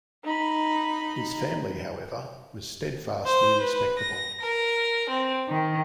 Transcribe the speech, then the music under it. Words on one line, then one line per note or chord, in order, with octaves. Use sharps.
His family, however, was steadfastly respectable.
D#4 B5
C5
B4
A#6
A#4
C4
D#3